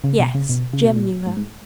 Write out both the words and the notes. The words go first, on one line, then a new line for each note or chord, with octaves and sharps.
Yes, Jem knew her.
C#3
B2
C#3
B2
C#3
B2
A#2
G#2
G#2